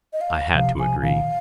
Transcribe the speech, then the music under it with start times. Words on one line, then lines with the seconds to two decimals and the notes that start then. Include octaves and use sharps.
I had to agree.
0.13 D#5
0.21 F5
0.55 C3 F3 F5
0.79 C3 F3 G#5
1.02 A#2 D#3 F5